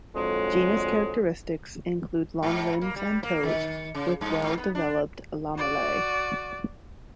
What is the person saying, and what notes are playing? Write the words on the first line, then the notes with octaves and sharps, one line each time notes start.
Genus characteristics include long limbs and toes with well-developed lamellae.
F2 D3 F#3 G#3
G#2
A#3
G3
A#3
D#3
C#3
G2
G#2
B3
D4
F#4 D5